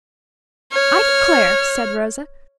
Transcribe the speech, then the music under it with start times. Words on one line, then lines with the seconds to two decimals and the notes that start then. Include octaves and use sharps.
"I declare!" said Rosa.
0.72 C#5 F6